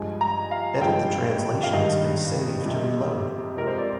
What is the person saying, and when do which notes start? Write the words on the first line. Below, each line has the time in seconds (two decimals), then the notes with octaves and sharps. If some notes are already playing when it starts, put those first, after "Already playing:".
Edit the translations and save to reload!
Already playing: G2 F3 G#3 G#5
0.21 A#5
0.51 F5
0.81 G2 F3 G#3 G5
1.63 F5
1.73 G2 D#3 G3 D#5
2.65 F2 C3 G3
3.57 F2 C3 F3 G#3 A#4
3.67 C5
3.78 D5